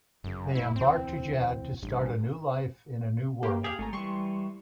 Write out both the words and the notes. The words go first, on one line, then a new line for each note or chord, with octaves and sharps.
They embark to Jadd to start a new life in a new world.
G1 F#2 C#3
F#1 A2 E4
E1 D2 E3 C4
A1 G2
A#3 G4
G4 G#4 F5
G#1 A3 G#5 A#5
E3 G3 C6 C#6